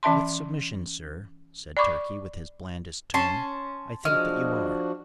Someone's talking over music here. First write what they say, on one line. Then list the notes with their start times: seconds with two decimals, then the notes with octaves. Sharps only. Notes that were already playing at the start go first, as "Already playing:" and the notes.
"With submission, sir," said Turkey, with his blandest tone, "I think that you are."
0.03 E3 C#4 E5 A5 C6
1.77 D5 B5 C#6 D6
3.14 C#4 A5 C6
4.05 F3 G#3 D4 F#4 F6